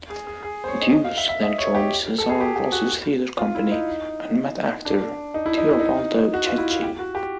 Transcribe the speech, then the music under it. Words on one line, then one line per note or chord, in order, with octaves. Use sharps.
Duse then joined Cesare Rossi's theater company, and met actor Teobaldo Checchi.
G#4
G#4
G#4
C5
C#5
D#5
D#5
F5
E5
E5
D#5
C#5
G4
A4
G#4
G4
G4
F#4
F4
E4
D#4
D4
D#4
E4
D#4
E4
D#4
F#4
F4
E4
F4
G4
F#4
G4